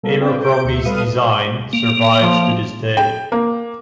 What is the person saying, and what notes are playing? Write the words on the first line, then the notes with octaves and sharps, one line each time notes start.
Abercrombies design survives to this day.
B2 G3 A#3 A4
C4 F4 B4 D5 G5
G6 D7
D2 E5 C#7
G3 A4 B4 F5 D#6 D#7
A#3
F3
G5
A#3